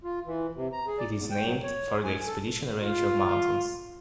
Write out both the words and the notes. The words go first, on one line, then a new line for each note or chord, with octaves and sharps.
It is named for the Expedition Range of mountains.
F4
E3
C3
A#5
G#4
D5
E2
G5
F#3
C#5
G#5
A4
F4